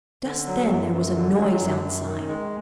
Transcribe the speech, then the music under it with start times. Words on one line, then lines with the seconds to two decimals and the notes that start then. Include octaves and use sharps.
Just then there was a noise outside.
0.24 D3
0.47 F#3
0.69 F#2
0.92 F#2
1.15 D3
1.37 F#3
1.60 F#2
1.83 F#2
2.06 D#3
2.28 G#3